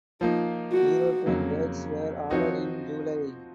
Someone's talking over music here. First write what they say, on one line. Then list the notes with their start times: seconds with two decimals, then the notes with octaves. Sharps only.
European dates were added in July.
0.21 F3 A#3 D#4 F4
0.73 F#4
1.26 F2 C#3 F#3 A#3
2.31 F3 C4 D#4 F#4 C#5